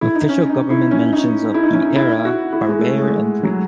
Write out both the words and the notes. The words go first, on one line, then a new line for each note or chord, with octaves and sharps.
Official government mentions of the era are rare and brief.
E4
D#4
C#4
D#4
E4
C#4
D#4
E4
D#4
C#4
D#4
E4
F#4
E4
G#3
A3
G#3
F#3